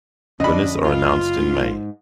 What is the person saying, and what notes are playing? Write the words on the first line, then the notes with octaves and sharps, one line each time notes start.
Winners are announced in May.
F2 D3 C#4 D4 D#5 B5
F#1 F4
G#2